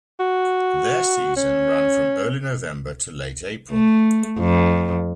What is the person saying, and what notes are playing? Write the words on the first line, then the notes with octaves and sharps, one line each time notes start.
Their season ran from early November to late April.
F#4
C#4
A3
F2